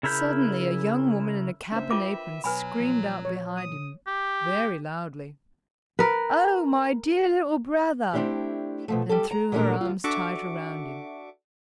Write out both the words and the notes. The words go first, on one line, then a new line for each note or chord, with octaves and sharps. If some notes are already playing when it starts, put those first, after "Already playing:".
Suddenly a young woman in a cap and apron screamed out behind him very loudly: "Oh, my dear little brother!" and threw her arms tight around him.
C#3 E4 A#4 B5 G6
C#3 A#3 C#4 D4 C5 E5
F4 A#4 B4 G5 D6
B2 F#3 B4 G#5 B5
A#2 F3 A#3
C#5
D#6
G4
A#4 B4
A3 C4 D4 E4 G4
B2 F3 A3
G3 G4 A4
A#5
A#2 E3 G3 A3 D4 A#4
D2 F4
D4 F#4 A4 E5 C#6 D6